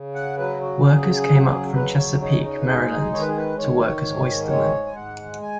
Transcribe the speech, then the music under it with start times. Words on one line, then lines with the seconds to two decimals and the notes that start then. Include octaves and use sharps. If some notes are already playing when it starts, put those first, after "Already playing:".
Workers came up from Chesapeake, Maryland, to work as oystermen.
Already playing: C#3
0.15 F#5
0.38 F#3 B4
0.61 F#4
0.84 C#3 G#4
1.29 F#3
1.75 C#3 B4
1.98 C#5
2.21 D#4 C#5
2.44 C#5
2.61 B4
2.67 G#3 G#4
3.13 D#3 C#5
3.21 B4
3.28 G#4
3.37 B4
3.58 D#3 C#5
4.04 G#2
4.50 G#3 C#5
4.86 G#5
4.96 G#2 F#5
5.42 G#5